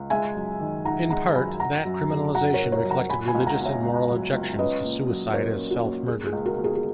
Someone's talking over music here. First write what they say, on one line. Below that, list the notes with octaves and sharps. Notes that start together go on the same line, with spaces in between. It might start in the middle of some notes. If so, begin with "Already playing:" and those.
In part, that criminalization reflected religious and moral objections to suicide as self-murder.
Already playing: C#2
G#3 E5 G#5
F#2
D#3
D#4 F#5 A#5
G#3 F#5 A#5
F#2 G#5 B5
F#3 F#5 A#5
F#2
C#3
F#2 F#5 A#5
A#4 C#5
F#3
A#4 C#5
F#2
F#5 A#5
F#3 G#5 B5
G#5 B5
C#2
F#5 A#5
B2
C#5 E5
C#2
F#3
C#2
C#4 B4 D#5
A#2
F#3
A#2 A#4 C#5
C#4
F#4
A#2
A#3 G#4
G#4
C#2
F#4 A#4
B2
G#4
G#4